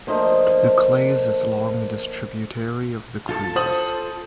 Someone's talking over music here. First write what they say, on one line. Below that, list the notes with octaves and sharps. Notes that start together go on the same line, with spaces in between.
The Claise is long and is a tributary of the Creuse.
F3 A3 A#3 D4 C5 D#5
F4 A4 A5
C5 D#6 F#7